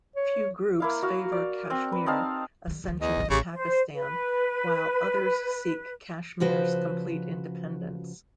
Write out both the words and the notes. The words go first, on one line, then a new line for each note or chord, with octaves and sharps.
Few groups favour Kashmir accession to Pakistan, while others seek Kashmir's complete independence.
C#5
A#3 E4 F5
F#4 F5
D5
C4
B4
C4 D#4 F5 A5
D#3 G3
D2 D#3
E2 D#5
A1 D#2
A1 C#3 G4
C5
B4
C#3 F3 F#4 B4 C5